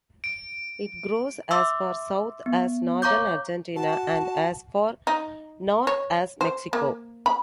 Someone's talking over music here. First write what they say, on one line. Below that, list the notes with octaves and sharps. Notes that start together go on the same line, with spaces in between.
It grows as far south as northern Argentina and as far north as Mexico.
D7
E5 C6 D6 E6
B3
C#5 F5 A#5 C#6 D6 G6
F#4 A5
D#4
C#5
C5
A#3
B5